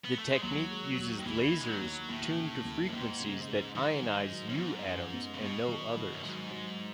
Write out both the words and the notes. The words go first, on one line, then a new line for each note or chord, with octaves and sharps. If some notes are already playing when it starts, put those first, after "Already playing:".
The technique uses lasers tuned to frequencies that ionize U atoms and no others.
B3
A3
G#3
D#2 F#3
G#3
D#2
D#3
D#2 E3
D#4
G#3
F#3
D#2
D#2 A2
C#3
D#2
F#2
D#2 G#2
C#3
G#3
G#2 D#3
D#3
F#3
F#2
G#2 B3
F#2
B3
C#3
B2 B3
D#3
D#3
F#2
G#2 F#3
F#3